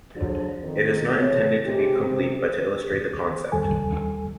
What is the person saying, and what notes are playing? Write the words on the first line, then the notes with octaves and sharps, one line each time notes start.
It is not intended to be complete but to illustrate the concept.
G#2 D3 F3 F#3
F2 D#3
E3 A3 G#4 C#5
C3 G#3 G4
C3
D#2 G3 A4 G#5